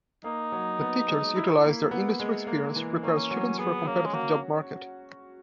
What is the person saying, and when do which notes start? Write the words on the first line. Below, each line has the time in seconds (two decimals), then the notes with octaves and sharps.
The teachers utilize their industry experience to prepare students for a competitive job market.
0.24 A#3 D#4
0.52 F#3
0.81 B3
1.08 G#3
1.36 E4
1.64 A#3
1.91 B3
2.20 G#3
2.47 A#3
2.76 E3
3.03 A#3 C#4
3.31 F#3
3.59 B3 G#4
3.87 A#3 C#4
4.06 G#3
4.14 A#3 F#4